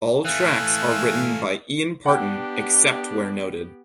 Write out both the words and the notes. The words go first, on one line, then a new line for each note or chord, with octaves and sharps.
All tracks are written by Ian Parton except where noted.
E3 A3 E5 F5 G#5 F#6
B3 D4 G4 F#5 G5